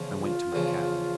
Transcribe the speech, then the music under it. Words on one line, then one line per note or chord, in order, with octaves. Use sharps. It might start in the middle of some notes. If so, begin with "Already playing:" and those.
I went to my cabin.
Already playing: E2 C#3 F3
F4
E2 C#3 F3